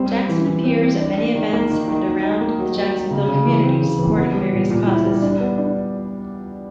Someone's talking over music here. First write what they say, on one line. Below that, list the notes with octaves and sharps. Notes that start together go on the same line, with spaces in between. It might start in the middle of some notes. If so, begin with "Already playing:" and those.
Jaxson appears at many events and around the Jacksonville community supporting various causes.
Already playing: G3 C4
C4
E3
E3
C4
C4
D4
D4
D#3
A#3
D#3
D#3
F#3
D#4
A#3
F#3
F#3
F#3
C#3
C#3
E3
C4
C#3
E3
B3
G3
A#2
A#2
E4
G3
D4
B3
D4